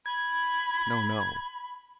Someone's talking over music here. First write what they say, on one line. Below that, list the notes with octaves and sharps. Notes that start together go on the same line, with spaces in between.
No, no.
B5 G#6